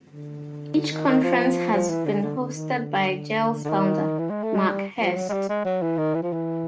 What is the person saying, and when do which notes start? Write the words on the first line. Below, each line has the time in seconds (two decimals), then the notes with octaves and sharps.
Each conference has been hosted by Gel's founder, Mark Hurst.
0.09 D3
0.75 D3
0.92 D#3
1.08 D#3
1.24 F3
1.73 F3
1.90 E3
2.06 D3
2.23 D3
2.38 D3
2.55 D#3
2.71 D3
3.65 D3
3.69 D#3
4.19 E3
4.30 G#3
4.43 A3
4.55 G#3
4.67 G3
5.00 F3
5.16 F#3
5.29 G#3
5.33 G3
5.49 G#3
5.65 F#3
5.82 E3
5.98 D#3
6.15 E3
6.23 F3
6.33 E3